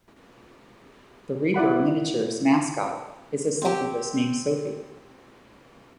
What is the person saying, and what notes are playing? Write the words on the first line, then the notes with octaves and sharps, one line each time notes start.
The Reaper Miniatures mascot is a succubus named Sophie.
E4 D5 F#5 B5
C4 G4